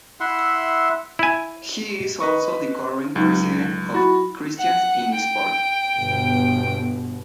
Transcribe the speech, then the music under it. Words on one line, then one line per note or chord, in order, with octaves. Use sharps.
He is also the current president of "Christians In Sport".
E4 E5 F#5 C6
E4 G#5
B4 D#5 C#6
C#2 F#3 D#4
E4 F#4 B5 A6
F#5
G5
G1 B2